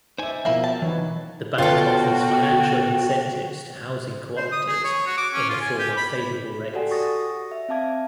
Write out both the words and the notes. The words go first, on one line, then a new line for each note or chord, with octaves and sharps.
The bank offers financial incentives to housing cooperatives in the form of favorable rates.
D#4 C5 D5 E5 G#5
B2 F3 A#3 E4
A5
E3 D#4 B4 C#5
B2 F4 F#4 A4 C#5 G5
C5
D#6
G#4
C#5
F#4
D6
C#4
F4
G#5
G4
B5
F#4 G4 A4 D5 F#5 G#5
F#5 C#6 D#6 A6 A#6
E5
C4 E5 F5 A5 D6 G#6